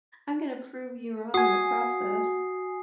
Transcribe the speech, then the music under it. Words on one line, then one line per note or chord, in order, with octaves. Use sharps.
I'm gonna prove you wrong in the process."
F#4 G#5 D#6 C7